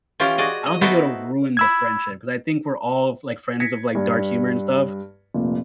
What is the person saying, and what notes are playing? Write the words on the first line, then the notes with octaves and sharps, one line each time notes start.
I don't think it would have ruined the friendship because I think we're all, f like, friends of, like, dark humor and stuff.
E3 C#4 F4 G4
F#4 G#4 D5 D#5
D#5
B3 D#4 E4 F#4 A4 C5
B5 E6 G#6
G#6 A#6 B6 C#7
G2
F1 A#2